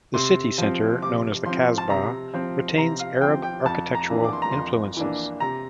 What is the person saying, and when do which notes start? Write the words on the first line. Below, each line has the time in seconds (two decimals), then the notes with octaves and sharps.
The city centre, known as the "Kasbah", retains Arab architectural influences.
0.14 C3 C6
0.58 F3 C4
1.02 C3 D6
1.46 F3 C4 C6
1.78 A5
1.90 C3 A#5
2.33 F3 C4
2.78 C3 A#5
2.99 F5
3.21 F3 C4 G5
3.43 G5
3.65 F2 A5
3.95 A#5
4.10 E3 A#3 D4
4.24 D6
4.33 C6
4.42 A#5
4.51 F2 C6
4.97 E3 A#3 D4
5.40 C3 A#5